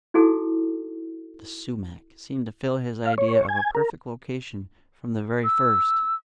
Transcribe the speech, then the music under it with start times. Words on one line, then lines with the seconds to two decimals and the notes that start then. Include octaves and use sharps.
The sumac seemed to fill his idea of a perfect location from the very first.
0.14 D#4 E4 F#4 G#4 A4
3.06 F5
3.18 C#5
3.49 G#5
3.75 A#4
5.44 E6